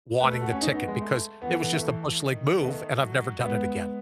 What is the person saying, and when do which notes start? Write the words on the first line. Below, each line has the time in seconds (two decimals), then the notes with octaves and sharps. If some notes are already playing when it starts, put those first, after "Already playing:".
wanting the ticket because it was just a bush league move, and I've never done it again.
0.20 A3 B4
0.31 A4
0.41 F#4
0.51 C#4
0.61 D#4
0.74 B3
0.88 G#3
1.02 A3
1.42 E3 B3
1.52 A3
1.63 B3
1.73 A3
1.83 E3
2.23 D#3
2.59 B3
2.63 D#3 A3
3.04 F#3
3.44 G#3 B3